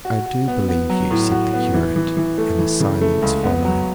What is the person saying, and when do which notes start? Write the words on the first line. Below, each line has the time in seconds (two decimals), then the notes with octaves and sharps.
"I do believe you," said the curate, and a silence followed.
0.05 F#4
0.26 F#4
0.48 B3
0.68 B3
0.89 F#3
1.11 A2
1.32 F#4
1.54 B3
1.74 E3
1.96 E3
2.17 E3
2.38 A3
2.59 E3
2.80 C#3
3.01 A3
3.22 C#2
3.43 B3
3.65 F#3